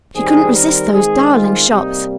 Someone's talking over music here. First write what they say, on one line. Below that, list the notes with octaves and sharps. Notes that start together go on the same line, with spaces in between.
She couldn't resist those darling shops.
D#3 G3 C4 G#4
A#4
D#3 G#3 C4 G#4
F4
C3 G3 A#3 D#4